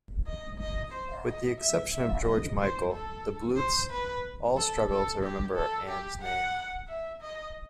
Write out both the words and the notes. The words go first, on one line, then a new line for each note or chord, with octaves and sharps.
With the exception of George Michael, the Bluths all struggle to remember Ann's name.
D#5
D#5
C5
D#5
E5
E5
D#5
C5
A4
C5
B4
A4
A4
G4
A4
G4
F#5
E5
D#5